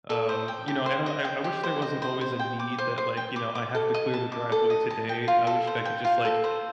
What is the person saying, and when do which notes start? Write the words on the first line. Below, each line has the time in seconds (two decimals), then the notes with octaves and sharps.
um, you know, I I I wish there wasn't always a need that, like, you know, I have to clear the driveway today. I wish I could just like,
0.10 A4
0.29 C5
0.48 G5
0.68 G4
0.86 C5
1.06 D#5
1.25 G5
1.44 G4
1.63 C5
1.82 D#5
2.02 C5
2.21 C5
2.39 G5
2.60 D6
2.78 C5
2.98 C5
3.17 G5
3.36 D6
3.55 D6
3.75 A4
3.94 D#5
4.14 A5
4.32 D6
4.52 A4
4.70 D#5
4.90 A5
5.09 G5
5.28 F4
5.47 A4
5.67 C5
5.85 G5
6.05 F4
6.25 A4
6.44 C5